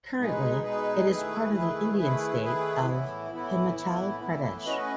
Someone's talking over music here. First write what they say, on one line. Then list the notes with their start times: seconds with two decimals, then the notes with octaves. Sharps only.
Currently, it is part of the Indian state of Himachal Pradesh.
0.18 B2 G#3 D#4 G#4 B4
0.63 B2 G#3 D#4 G#4 B4
1.07 D#3 A3 E4 G#4 B4
1.52 D#3 A3 E4 G#4 B4
1.97 D#3 A3 E4 G#4 B4
2.42 D#3 A3 E4 G#4 B4
2.86 A2 E3 B3 E4
3.31 A2 E3 B3 E4
3.76 A2 E3 B3 E4
4.20 A2 E3 B3 E4
4.65 A3 C#4 F#4 B4 D#5